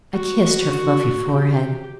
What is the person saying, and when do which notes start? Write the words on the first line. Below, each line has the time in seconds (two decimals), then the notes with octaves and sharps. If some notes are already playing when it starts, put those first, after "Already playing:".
I kissed her fluffy forehead.
0.14 F#4
0.43 F#4
0.72 F#4
1.32 G4